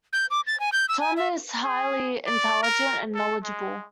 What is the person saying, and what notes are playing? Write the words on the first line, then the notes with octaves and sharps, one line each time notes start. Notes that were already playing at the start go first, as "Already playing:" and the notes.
Tom is highly intelligent and knowledgeable.
G6
D6
A6
G#5
G6
E6
G#5
E5
G#4
D5
A#4
A4
G#3